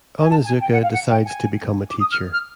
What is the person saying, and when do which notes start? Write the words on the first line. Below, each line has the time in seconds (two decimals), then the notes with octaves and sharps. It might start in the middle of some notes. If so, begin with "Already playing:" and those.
Onizuka decides to become a teacher.
0.21 G#5
0.29 A5
0.44 G#5
0.60 G5
0.72 F#5
0.82 F5
0.92 F#5
1.09 G5
1.25 G#5
1.89 D6
1.99 D#6
2.11 F6
2.32 F6